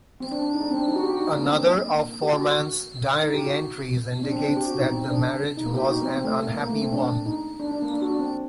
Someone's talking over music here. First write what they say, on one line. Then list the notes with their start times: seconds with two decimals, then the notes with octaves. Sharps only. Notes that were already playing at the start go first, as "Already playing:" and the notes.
Another of Forman's diary entries indicates that the marriage was an unhappy one.
0.20 C4
0.31 D4
0.42 D4
0.54 D#4
0.62 D4
0.70 C4
0.78 D4
0.88 D#4
0.96 F#4
1.03 G4
1.13 F#4
1.21 D#4
1.32 D4
1.38 A#3
1.43 C4
1.54 A#3
1.88 A#3
2.22 G4
2.33 F#4
2.44 F#4
3.23 D#4
3.34 G4
3.45 F#4
4.23 D4
4.32 C4
4.40 D4
4.49 C4
4.56 G4
4.68 F#4
4.79 D#4
4.91 C4
5.08 D4
5.57 D#4
5.66 A#3
5.74 G4
5.83 F#4
5.91 D#4
6.03 C4
6.14 C4
6.25 A3
6.42 A#3
6.58 A#3
6.69 A3
6.81 C4
6.93 D4
7.26 D#4
7.60 D4
7.71 D4
7.82 A#3
7.93 D4
8.02 F#4
8.10 D4
8.19 C4